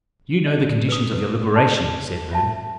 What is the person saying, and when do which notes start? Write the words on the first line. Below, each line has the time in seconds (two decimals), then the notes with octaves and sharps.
"You know the conditions of your liberation?" said Herne.
0.47 D#5
0.89 B4 D#6
1.13 B4
1.56 A5
2.31 F4 E5 A5